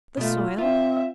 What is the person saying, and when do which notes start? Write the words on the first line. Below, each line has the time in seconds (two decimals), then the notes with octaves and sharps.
The soil.
0.17 B2 A3 F4
0.58 C4 F4 E5